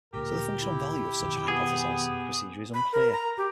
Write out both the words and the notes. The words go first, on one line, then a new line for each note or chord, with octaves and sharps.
So the functional value of such a hypothesized procedure is unclear.
D2 A#2 G4 A#4
E4
F2 B2 D#3
B3 G#4
B5
A#4
A#5
G4